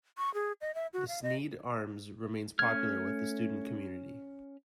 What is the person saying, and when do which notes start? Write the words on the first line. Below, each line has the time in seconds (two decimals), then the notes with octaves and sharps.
The Sneyd Arms remains popular with the student community.
0.18 C#6
0.34 G#4
0.61 D#5
0.75 E5
0.93 F#4
1.08 F5
1.23 D#5
2.59 A3 C#4 F6 G#6